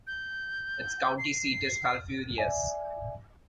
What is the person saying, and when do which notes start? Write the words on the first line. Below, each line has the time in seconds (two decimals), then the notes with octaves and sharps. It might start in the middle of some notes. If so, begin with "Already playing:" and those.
Its county seat is Falfurrias.
0.07 G6
1.18 C7
2.38 D5 E5 G#5